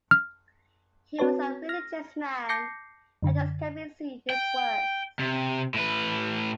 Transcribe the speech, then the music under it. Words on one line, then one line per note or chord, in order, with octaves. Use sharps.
He was a religious man, and this can be seen in his works.
F6
C4 F#4 B4 C#5 A5
F6 A#6
A5 D6 G6 A#6 C7 C#7
F#2 D3
G5
C3
A2 B4